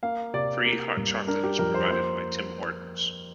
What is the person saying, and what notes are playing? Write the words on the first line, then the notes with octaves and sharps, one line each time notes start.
Free hot chocolate is provided by Tim Hortons.
A#3 F5
C3 D5
A#3
G2
D4 A#4
G4
F2 A#4
C5
A#3 C5